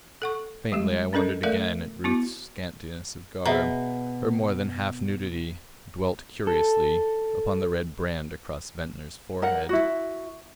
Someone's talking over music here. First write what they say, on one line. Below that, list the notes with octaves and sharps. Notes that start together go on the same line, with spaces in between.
Faintly I wondered again at Ruth's scantiness of garb, her more than half nudity; dwelt curiously upon the red brand across Ventnor's forehead.
A4 F#5 C#6
G3 G#3 G4
C#4 D4 A4 A#4 D#5
A3 A4 A#4 D5 E5 F5
B3 E4 F#4
B2 G#4 E5 A#5
A4
A#4 F#5
E4 F#4